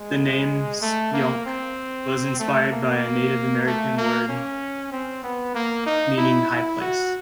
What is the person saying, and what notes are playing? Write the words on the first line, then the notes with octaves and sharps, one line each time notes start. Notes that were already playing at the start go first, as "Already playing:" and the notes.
The name "Speonk" was inspired by a Native American word meaning "high place".
Already playing: G#3
A3
A#3
C4
A3
A#3
A3
A#3
C#4
C4
B3
A#3
D#4
E4
E4
F#4